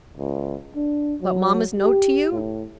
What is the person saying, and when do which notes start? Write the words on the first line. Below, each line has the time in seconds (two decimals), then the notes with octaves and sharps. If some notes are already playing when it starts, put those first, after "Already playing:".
"But mamma's note to you?"
0.17 C#2
0.76 D4
1.21 F#3
1.79 G4
2.32 A2